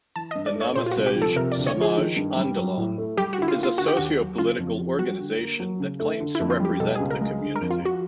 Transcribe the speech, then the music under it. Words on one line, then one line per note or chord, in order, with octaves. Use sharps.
The Namassej Samaj Andolon is a socio-political organisation that claims to represent the community.
E3 A5
G2 D#5
D5
A3
C#5
A#2 C5
F4
F#4
C2
G4
F3
A4
C3 A#4
D5
D2
C#5
F3 G#4
D#3
G2
G3
F#3
A2
A3
G3 G4
F#4
D3 E4
F4
A#3
F4
D3 F#4
G4
D#2 F#4
F#3
C#3 F4
F2
F3
G3 F#4
D3
A#3
F#3
C#3
A3
D3
E4
F2
F4
G3 G4
B2 A4
C#2 G#4
A#4
G#3
D3
A#4
F2
F4
F3
F#4